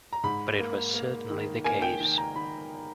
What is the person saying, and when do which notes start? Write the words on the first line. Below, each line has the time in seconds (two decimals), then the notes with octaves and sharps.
But it was certainly the case.
0.13 A#5
0.23 G#2 B5
0.60 A#3
0.94 A#3
1.30 D#3
1.64 A#3 G#5
1.82 G5
2.00 D#3
2.18 A#5
2.35 D#3 B5